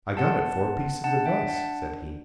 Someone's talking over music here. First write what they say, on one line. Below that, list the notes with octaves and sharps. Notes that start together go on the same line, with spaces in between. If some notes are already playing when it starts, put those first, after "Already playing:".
"I got it for a piece of advice," said he.
B3 F#5 A5
B3
D4 F#5 A5
E5 G5
D4 F#5 A5